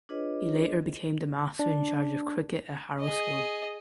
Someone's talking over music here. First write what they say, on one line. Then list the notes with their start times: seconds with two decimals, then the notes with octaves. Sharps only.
He later became the master in charge of cricket at Harrow School.
0.09 D4 F4 G#4 B4 C#5 D#5
1.59 D4
3.00 G#4 D#5